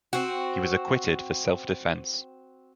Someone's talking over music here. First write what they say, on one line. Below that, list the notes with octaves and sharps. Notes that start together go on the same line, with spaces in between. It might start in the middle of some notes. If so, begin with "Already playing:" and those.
He was acquitted for self-defense.
C4 F#4